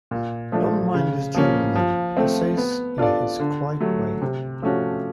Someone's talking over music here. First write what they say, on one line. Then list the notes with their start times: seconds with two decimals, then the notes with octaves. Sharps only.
"Don't mind this gentleman," he says in his quiet way.
0.11 A#2
0.52 F3 A3 D4
0.94 C#3
1.34 F3 A#3 C#4
1.75 F3
2.17 A3 C4
2.57 B3
2.98 D4 F4 A4 D5
3.39 D3
3.81 F#3 A3
4.22 C3
4.62 F3 A3 C#4 F#4